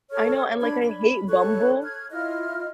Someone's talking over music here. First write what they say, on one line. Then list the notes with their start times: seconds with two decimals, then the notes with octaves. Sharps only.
I know, and, like, I hate Bumble.
0.11 A4 C#5 C#6 F6
0.61 D4 B5 G#6
0.83 B5
1.29 A4 C#5 C#6 F#6
1.82 F6 G#6
2.11 E4 F4 D#5 F6